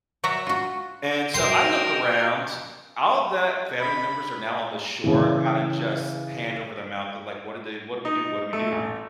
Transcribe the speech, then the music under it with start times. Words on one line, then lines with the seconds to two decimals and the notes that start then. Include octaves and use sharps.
and so I look around. All the family members are now on the shore kinda just hand over their mouth to like, what do they "What do we do, what do we do?"
0.24 F#3 F#4 D5 E5 A#5
0.47 F4 F#4
1.34 F#4 A#4 G5 C6
3.80 B5
5.04 C#3 E3
8.05 D#4
8.53 A3
8.72 A1